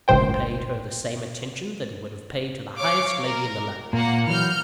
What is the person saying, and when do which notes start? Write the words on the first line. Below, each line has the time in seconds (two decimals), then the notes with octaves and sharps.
He paid her the same attention that he would have paid to the highest lady in the land.
0.08 G1 C#2 A2 C5 G5
2.78 C#5 F5 D6
3.21 A#4
3.93 A#2 A#3 F#5
4.27 E3 F#3 F6 G6